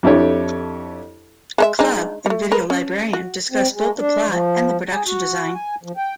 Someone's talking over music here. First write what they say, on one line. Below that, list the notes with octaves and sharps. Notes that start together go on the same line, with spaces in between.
Club, and "Video Librarian" discussed both the plot and the production design.
F2 D4 E4 G4 A4 C#5
G#3 A4 E5
G#3 D4 D#4
G3 A3
A#4 B4
C#4
F#4
C4
G#3
D4
F3
G#4
F#4
G#5
F3
G5